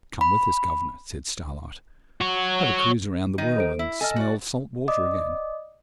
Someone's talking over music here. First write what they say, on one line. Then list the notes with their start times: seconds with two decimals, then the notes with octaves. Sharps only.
'Come with us, governor,' says Starlight, 'have a cruise round the world, and smell salt water again.
0.21 B5
2.21 F#4 C#5
3.38 D#3 D#4
3.56 A4 C5 D7
3.79 E4 E5
4.01 A4 D#5 G#5 F6
4.16 F#4 D5
4.88 D5 D#5 D6 D#6